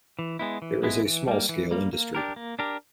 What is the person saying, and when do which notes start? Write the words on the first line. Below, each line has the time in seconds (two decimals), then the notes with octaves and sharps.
There is small scale industry.
0.19 E3
0.39 G#3 B3 E4
0.62 E3
0.83 G#3 B3 E4
1.06 E3
1.28 G3 A#3
1.49 E3
1.71 G3 A#3
1.93 A#3
2.15 D4 G4 A#4
2.36 A#3
2.59 D4 G4 A#4